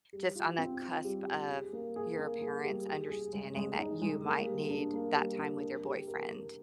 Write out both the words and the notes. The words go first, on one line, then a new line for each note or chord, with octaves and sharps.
just on the cusp of your parents understanding that you might need that time with your boyfriend.
G3
F4
C4
F4
G3
G3
G#4
A#3
G#4
A#3
G#4
G3
G#4
G#4
G#3
G#3
D#4
G#3
A#3
G3
D4
A#3
G3
D4
A#4
G4
A#4
A#4